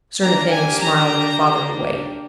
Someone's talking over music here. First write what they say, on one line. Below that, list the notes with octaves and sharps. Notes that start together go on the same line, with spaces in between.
Sir Nathaniel smiled in a fatherly way.
A#3 D4 G4 A#5
G#5
A#5